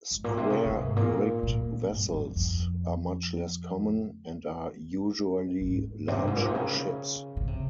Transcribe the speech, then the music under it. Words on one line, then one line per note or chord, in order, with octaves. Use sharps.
Square-rigged vessels are much less common, and are usually large ships.
G#2
A#2
C3
C#3
C3
G#2
A#2
A#2
G2
G2
F2
F2
G#2
C3
G2
G#2
A#2
C3
C#3
C#3
C3